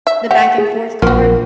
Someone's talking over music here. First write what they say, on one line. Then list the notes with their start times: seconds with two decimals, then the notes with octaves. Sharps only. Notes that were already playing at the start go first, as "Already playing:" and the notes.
The back-and-forth guard.
0.07 E5
0.31 G4 E5 F#5
0.58 G#4
1.02 A#1 F4 F#4 A#4